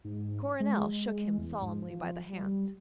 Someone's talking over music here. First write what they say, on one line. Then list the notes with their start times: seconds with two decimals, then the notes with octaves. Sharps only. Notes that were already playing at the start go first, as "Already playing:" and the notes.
Coronel shook him solemnly by the hand.
0.05 G#2
0.60 G#3
1.38 E2
1.62 G#2
1.90 F3
2.33 G3